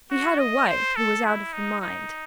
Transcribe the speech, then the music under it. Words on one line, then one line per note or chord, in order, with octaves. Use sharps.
He had a wife who was out of her mind.
F#4
D#5
C5
A4
E4
D#4
D#4